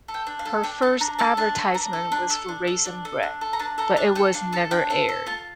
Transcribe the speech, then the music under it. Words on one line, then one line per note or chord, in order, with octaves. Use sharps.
Her first advertisement was for Raisin Bran, but it was never aired.
A4
G5
D4
F5
A4
D4 G5
A4 A5
D4 A#5
A4 A5
D4 A5
A4
D4 A#5
A4
D4
A4
D4
A4
D4
A4
D4
A4
A#5
D4 A5
A4 A#5
D4 A5
A4 G5
D4 F5
A4 A5
D4 G5
A4 F5
A4
F4 A5